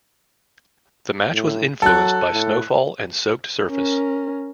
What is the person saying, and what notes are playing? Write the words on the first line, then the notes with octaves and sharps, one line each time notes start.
The match was influenced by snowfall and soaked surface.
A2
F#3 A4 F#6
A2
C#4 A#4